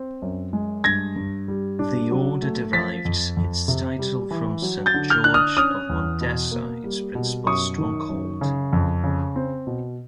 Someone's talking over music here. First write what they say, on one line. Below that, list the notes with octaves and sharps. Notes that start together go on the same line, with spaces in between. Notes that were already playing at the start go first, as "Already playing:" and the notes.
The order derived its title from Saint George of Montesa, its principal stronghold.
Already playing: C4
F#2
G#3
G2 G#6 A#6
G2
G3
D4
F#3
A3
F3 A6 B6
F2
F2
C3
G3
E3
F#3
G6 A6
D3
F6 G6
D4 F#6
D#6 F6
C#4 D#6 F6
E2
B2
A#3
G3
B2
F#2 C#6 D#6
D#3
F#2
C#3
F2
C#3
C4
B2